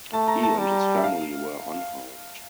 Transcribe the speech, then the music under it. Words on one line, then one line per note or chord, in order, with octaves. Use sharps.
He and his family were unharmed.
A3 A5
A#5
A5
G3
E5
F5